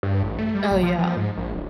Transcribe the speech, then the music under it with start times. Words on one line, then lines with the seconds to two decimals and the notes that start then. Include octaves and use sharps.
Oh, yeah.
0.03 G2
0.23 A1
0.39 A3
0.55 G3
0.71 A#1
0.83 F3
0.98 F3
1.17 G#2
1.37 A#1
1.53 D1